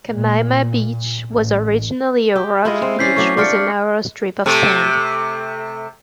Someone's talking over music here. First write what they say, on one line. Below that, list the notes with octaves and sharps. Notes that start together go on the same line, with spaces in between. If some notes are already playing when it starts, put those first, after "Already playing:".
Kaimana Beach was originally a rocky beach with a narrow strip of sand.
A#2
A1
G4
G#3 E4 F4 D#5
C4
E3 C#4 D5 G6 B6 C7
F#3 A3 C#6 D6
D4 F4 G4 D5 D6 F6 C#7
C3 A3